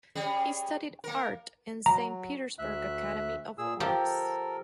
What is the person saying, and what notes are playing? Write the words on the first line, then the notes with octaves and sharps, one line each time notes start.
He studied art in Saint Petersburg Academy of Arts.
G3 C#4 G#4
A#3 A#4
F#3 A#5
D2 E5 F#6
A#2 G#4 E6
F3 G4 A4 A#4